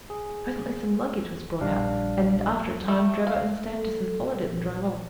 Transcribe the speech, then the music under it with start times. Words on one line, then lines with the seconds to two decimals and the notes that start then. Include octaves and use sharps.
Presently some luggage was brought out, and after a time Drebber and Stangerson followed it, and drove off.
0.10 G#4
1.61 A#1 G3 D4 F5
2.88 A3
3.27 F5
3.73 A4
4.41 A#1